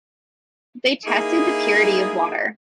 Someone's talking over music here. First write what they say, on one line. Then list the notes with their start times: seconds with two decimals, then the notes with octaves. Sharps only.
They tested the purity of water.
1.05 A#3 D#4 E4 G#4